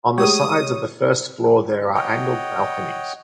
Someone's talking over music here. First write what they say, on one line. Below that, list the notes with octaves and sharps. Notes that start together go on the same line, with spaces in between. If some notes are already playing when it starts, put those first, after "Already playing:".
On the sides of the first floor there are angled balconies.
G#3 A3 G4 G#4 C#5 D#6
C#5 D#5 F#5 G5